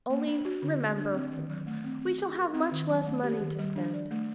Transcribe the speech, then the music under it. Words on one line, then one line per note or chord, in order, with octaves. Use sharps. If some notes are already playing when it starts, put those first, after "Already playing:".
Only remember, we shall have much less money to spend.'
A#3
D4
F#4
D3
A3
D4
C4
D#3
F#3
A3
C4
C4
F#4
A#4
C4
D#3
F#3
A3
G4
D#3
G3
D4
D5
A3